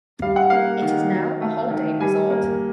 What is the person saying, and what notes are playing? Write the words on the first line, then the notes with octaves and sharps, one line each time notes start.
It is now a holiday resort.
G3 F5
F#5
A#3 F5
D#3
F#3
A3
D#3
G3 G#5
A#3